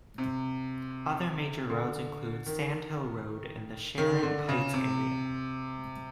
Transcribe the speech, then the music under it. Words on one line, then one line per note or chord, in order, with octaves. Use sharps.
Other major roads include Sand Hill Road in the Sharon Heights area.
C3
D3
D#3
D#3
D3
C#3
C3